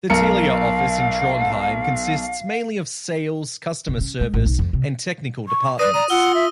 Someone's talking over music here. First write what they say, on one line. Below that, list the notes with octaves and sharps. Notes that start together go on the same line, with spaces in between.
The Telia office in Trondheim consists mainly of sales, customer service and technical departments.
B1 A#4 F5 C#7
F1
C#4
G#3
A1
B1
F2
C3
C#6
B4 D5 D#6 A#6 D#7
D5 A#5 D#7
F4 F#5 E6 G7
E5